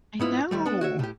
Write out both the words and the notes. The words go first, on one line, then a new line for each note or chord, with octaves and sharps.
I know.
G#2 B3 E4 F4
D#2 G3 A3
B3 D4
F#4 C#5 E5
A2 G4